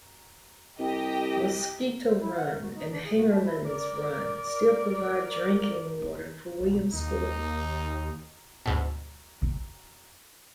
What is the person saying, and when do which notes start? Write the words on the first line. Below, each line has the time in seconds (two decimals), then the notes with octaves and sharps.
Mosquito Run and Hagerman's Run still provide drinking water for Williamsport.
0.79 C2 G4 D#5
2.04 C5
2.20 E4
2.36 F#5
2.49 A#4
2.62 F#4
2.74 D#4
2.91 D4
3.04 G#4
3.17 F#4
3.31 A5
3.44 E4
3.66 A#4 D5
6.61 B1
6.94 D#2 D#4
8.66 D2 G#2 B2